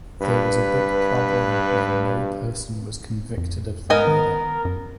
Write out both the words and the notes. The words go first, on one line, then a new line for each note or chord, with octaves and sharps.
There was a big problem when no person was convicted of the murder.
G2 B4
F2
B3 A#4 D#5 G#5
D#3
F#2